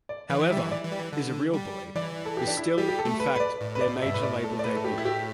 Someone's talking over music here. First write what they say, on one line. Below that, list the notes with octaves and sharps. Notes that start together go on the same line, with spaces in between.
However, "...Is A Real Boy" is still in fact their 'major label debut'.
D5
E3
G3 E5
E3
D5
E3
G3
E3
D3
G3
E3 D5
A4
G4
D4
E4
G3 G4
G4
A4
A3
B4
B4
D5
A2
B4
D5
B2
G2 E5
A2 B4
D5
A4
D5
B4
A4
G4
E4
G4